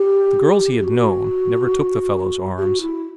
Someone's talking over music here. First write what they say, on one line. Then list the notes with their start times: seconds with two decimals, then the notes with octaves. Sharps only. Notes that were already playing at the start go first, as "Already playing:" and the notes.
The girls he had known never took the fellows' arms.
Already playing: G4
0.79 G4
0.84 F#4
2.58 G4
2.62 F#4
2.81 E4